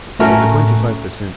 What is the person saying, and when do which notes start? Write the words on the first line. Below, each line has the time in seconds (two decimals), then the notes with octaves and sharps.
But the twenty-five per cent.
0.19 A2 A3 C#4 F#4 A#4